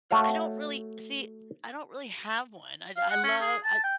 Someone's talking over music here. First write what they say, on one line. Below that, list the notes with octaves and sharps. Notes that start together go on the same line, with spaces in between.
I don't really see, I don't really have one. I I love I I I
A3 F#4 C#5 F5
F5
F#5
C#4
G#4
A5
G5